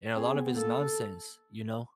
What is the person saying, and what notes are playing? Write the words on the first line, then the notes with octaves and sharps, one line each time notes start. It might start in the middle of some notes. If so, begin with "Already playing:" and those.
And a lot of it is nonsense, you know?
C4 G#4
C4
B3
B3
A#3 A4